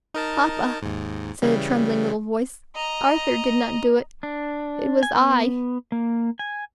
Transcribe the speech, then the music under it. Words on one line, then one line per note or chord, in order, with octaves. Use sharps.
"Papa," said a trembling little voice, "Arthur did not do it; it was I."
D#4 A#4 A5
D#2 G#2
C#3 E3 G3
D#5 A#5
D4
G#5
B3
A#3
G#5